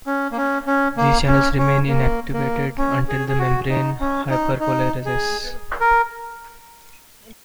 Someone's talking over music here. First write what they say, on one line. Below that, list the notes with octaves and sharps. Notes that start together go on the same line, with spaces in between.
These channels remain inactivated until the membrane hyperpolarizes.
C#4
A#3
C#4
C#4
A#3
C#4
C#4
A#3
A#3
C#4
G#4
G#4
F#4
D#4
C#4
D#4
D#4
G#4
A#4